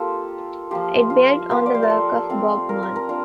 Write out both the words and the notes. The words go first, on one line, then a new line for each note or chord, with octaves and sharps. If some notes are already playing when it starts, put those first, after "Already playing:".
It built on the work of Bob Muns.
Already playing: A#3 F4 G4 A4
F3 A#3 F4 G4
F4
F3 A#3 F4 G4
D5
C5
A#4
A4
A3 C4 F4
A#4
A#4
A#4
A#3 D4 F4